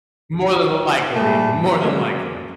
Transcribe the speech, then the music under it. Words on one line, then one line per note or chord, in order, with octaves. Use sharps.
More than likely. More than likely.
G2 A#2 A3
D3 F#3 G#3 A#3 C#4 D4